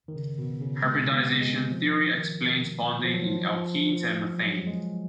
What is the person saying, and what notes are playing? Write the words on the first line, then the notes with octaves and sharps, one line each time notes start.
Hybridisation theory explains bonding in alkenes and methane.
D#3
C#3
B2
C#3
G#3
B3
G#3
F3
D#3
F3
F#3
F3
F3
F3
F#3
G#3